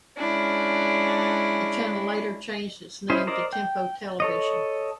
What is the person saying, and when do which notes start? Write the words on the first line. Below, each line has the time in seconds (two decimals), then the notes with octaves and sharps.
The channel later changed its name to Tempo Television.
0.16 G#3 C#4 D4 E4
3.10 C#4 E4 C5 D#5
3.27 A#4 C5 D5 D#5
3.53 G5
4.20 A4 C#5 D#5